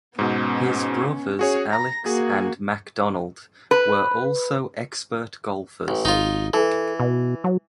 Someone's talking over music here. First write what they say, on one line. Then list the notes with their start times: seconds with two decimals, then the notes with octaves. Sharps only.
His brothers Alex and Macdonald were also expert golfers.
0.19 G#2 B2 B3 C#4
1.39 C#4 F#4 G#4 C#5
1.73 A#5 A#6
2.06 A#3 F#4 G#4
3.71 B4
5.88 A1
6.05 G#1 D#4 F4
6.53 E3 A4
7.00 B2
7.44 F#3